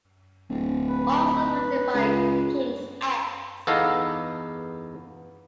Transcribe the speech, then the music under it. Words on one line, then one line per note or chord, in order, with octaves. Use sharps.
All songs written by King's X.
D1
B4
C#2
E2 B3 D#4 A4 F5 A#5